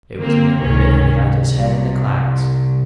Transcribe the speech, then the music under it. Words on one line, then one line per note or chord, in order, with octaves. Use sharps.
It was merely that he had his head in the clouds.
D3 A#3 C4
C#2 C3 D#3 C#4
C2